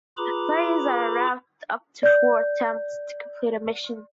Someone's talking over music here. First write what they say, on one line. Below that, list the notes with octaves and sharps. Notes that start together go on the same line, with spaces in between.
Players are allowed up to four attempts to complete a mission.
F4 G#4 B4 A#5 B5 D6
D5 G6